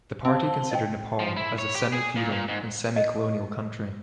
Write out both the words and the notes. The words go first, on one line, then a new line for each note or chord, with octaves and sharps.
The party considered Nepal as a semi-feudal and semi-colonial country.
C4 C5 F5 A5
D#5 G5
F3
E4
C#5
G4
G#4
A#2
A#2
G#2
D#5